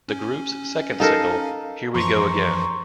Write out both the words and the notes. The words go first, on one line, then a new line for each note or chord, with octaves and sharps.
The group's second single, Here We Go Again!
C#4
D#4 A4 A#4 F5
F#2 E3 F3 A#5 C6 C#6